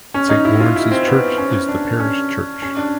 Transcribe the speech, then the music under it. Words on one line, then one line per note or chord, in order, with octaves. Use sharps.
Saint Lawrence's Church is the parish church.
C#4
D#4
E4
F4
E4
C4
B3
C#4
D4
C#4
C#4
D4